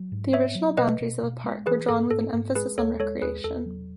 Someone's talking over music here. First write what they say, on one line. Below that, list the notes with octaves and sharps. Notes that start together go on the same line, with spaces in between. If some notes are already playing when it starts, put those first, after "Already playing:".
The original boundaries of the park were drawn with an emphasis on recreation.
Already playing: F#3
G#2
B3 C#5 E5
F#3
B2 B4 D#5
B2
B2
G#3
E3 G#4 B4
G#2 A4
G#2 A4
G#2
G#3 G#4 B4
D#2 A4 C#5
G#3 A4 C#5
D#2 G#4 B4
E2 A4
F#3